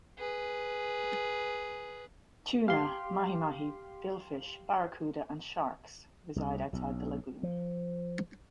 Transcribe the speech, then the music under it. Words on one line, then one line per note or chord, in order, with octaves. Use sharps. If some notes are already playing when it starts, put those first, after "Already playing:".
Tuna, mahi-mahi, billfish, barracuda and sharks reside outside the lagoon.
G#4 B4
G4 F5 C6
C2
B1
F3